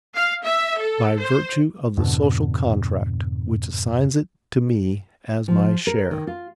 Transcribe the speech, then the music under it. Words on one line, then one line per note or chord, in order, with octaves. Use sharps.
By virtue of the social contract which assigns it to me as my share.
F5
E5
A4
C5
F2 G#2 B2 D3
F3
A#4
D#3
F4